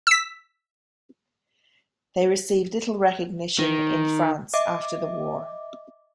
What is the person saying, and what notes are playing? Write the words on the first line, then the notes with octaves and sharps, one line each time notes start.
They received little recognition in France after the war.
E6 B6
D#3
D#5 E5 D6